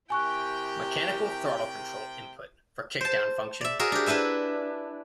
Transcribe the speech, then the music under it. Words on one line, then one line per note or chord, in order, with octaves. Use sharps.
Mechanical throttle control input for kick-down function.
C3 E4 G4 A#4 G5 G#5 C#6 F#6
C5 A5
D5 E5
F#4 G#4 A#4 E5
D4 G4
D4 E4 B4 E5 G#5